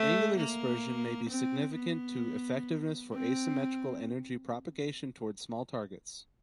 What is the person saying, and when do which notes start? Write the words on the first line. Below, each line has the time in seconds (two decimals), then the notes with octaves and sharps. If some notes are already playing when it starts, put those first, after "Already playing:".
Angular dispersion may be significant to effectiveness for asymmetrical energy propagation toward small targets.
Already playing: A3
0.37 A#3
1.29 C4
1.75 B3
3.13 C4